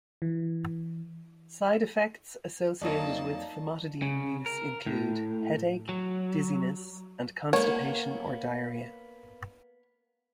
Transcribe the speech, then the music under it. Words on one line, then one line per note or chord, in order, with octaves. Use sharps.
Side effects associated with famotidine use include headache, dizziness, and constipation or diarrhea.
E3
F2 F#3 A#3 D#4 D5 D#5 A5
C#3
A#4
A2
F#3
A#3 B3 C#5